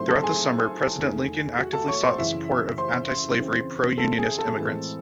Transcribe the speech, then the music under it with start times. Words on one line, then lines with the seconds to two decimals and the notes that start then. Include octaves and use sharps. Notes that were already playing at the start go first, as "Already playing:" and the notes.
Throughout the summer, President Lincoln actively sought the support of antislavery, pro-Unionist immigrants.
Already playing: G#2 F#3 A3 C4 E4 C5 C6
0.08 A4 A5
0.23 G#4 G#5
0.98 E2 D#3 A3
1.58 F#4 F#5
1.73 A4 A5
1.88 C#5 C#6
2.04 C5 C6
2.18 F#2 C#3 E3 E4 E5
2.78 C5 C6
3.38 C#3 E3 C4
3.98 A4 A5
4.18 G#4 G#5
4.38 A4 A5
4.58 A2 E3 G#3 C4